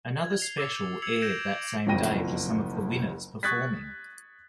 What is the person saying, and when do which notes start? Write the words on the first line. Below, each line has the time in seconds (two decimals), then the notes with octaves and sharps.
Another special aired that same day with some of the winners performing.
0.24 G#6
0.38 C7 F7 G7
0.58 D6 E6 A6 C#7
1.02 E6 G#6 C7 C#7 F7 F#7
1.22 G6 G#6 A#6 C7 D7 E7
1.39 G#6 E7
1.87 F#1 B1 F2 G5 A#6 D#7
3.43 C#6 D#6 F#6 G#6 A6 B6